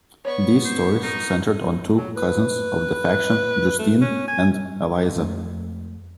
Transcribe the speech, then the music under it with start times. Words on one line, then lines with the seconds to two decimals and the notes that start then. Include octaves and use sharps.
These stories centred on two Cousins of the Faction, Justine and Eliza.
0.25 B3 C#5 D5 C#6
0.64 C5
1.03 D#4 A#4
1.97 F#3
2.17 B4
3.79 A3
4.01 C#4
4.28 G#5
5.16 F2 G#3 A3